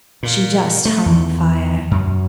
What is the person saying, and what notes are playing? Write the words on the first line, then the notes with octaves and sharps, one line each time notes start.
She just hung fire.
A#2
A3
E2
F#2